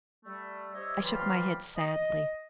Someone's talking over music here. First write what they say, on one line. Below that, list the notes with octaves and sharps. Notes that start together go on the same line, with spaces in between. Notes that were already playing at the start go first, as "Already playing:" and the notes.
I shook my head sadly.
G3 A3
D4 G4 C5 C#5 D#5 E5
D2 E3 F#3 G3 F4
D#5